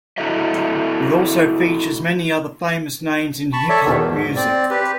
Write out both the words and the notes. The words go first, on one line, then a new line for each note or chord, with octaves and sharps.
It also features many other famous names in hip hop music.
E4 F#4 A4 D#5 E5
A5 B5 C#6
A4 C#5 D5 E5 A5
E2 B2 D#3
G#2
C4 D5
G4 B4